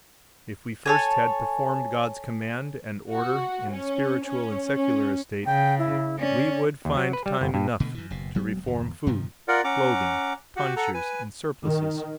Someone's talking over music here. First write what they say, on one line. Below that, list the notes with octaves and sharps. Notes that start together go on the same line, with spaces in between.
If we first had performed God's command and order in the spiritual and secular estate we would find time enough to reform food, clothing, tonsures, and surplices.
A4 C#5 G#5
F#4
C#4
C#4
C#4
C#3 G5
E4
C#4 D5
D#2
F#3
B4
G3
G1
G2
B2 D3 E3 A3
F#2 E3
F#1 B2
E1 F#3 G#3 B3
G1 E2
G2 C3 D#3 F3
F4 A#4 D5 F#5
C#4 F#5 A#5 D6
F#4 G4 F#5
A4 F#5 A#5
B4 G#5
D#3